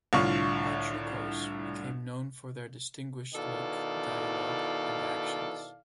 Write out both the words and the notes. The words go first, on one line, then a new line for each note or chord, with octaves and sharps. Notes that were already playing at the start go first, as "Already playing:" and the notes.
Pachucos became known for their distinguished look, dialogue, and actions.
C2 A2 D3 D4 F4 C#6
B2 D#3 E4 A4 D5 F5